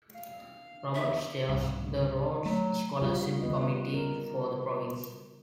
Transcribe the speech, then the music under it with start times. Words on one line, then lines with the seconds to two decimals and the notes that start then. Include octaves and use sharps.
Roberts chairs the Rhodes Scholarship committee for the province.
0.15 F5
0.95 E5
1.49 C2 G#2
2.46 F#3 A3
3.02 C#3 G3 F4 F#4
3.42 D#3 B3 B4 D#5
3.94 A#4